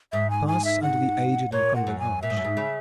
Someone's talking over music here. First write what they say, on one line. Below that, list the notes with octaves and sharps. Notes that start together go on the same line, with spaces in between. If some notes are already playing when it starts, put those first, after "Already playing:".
Pass under the aged and crumbling arch.
G#2 E5
G#5
G#5
E5
F#5
A#2 C#5
F#5
F#2
G#5
A#2 E5
G#2
F#2
G#2
C#3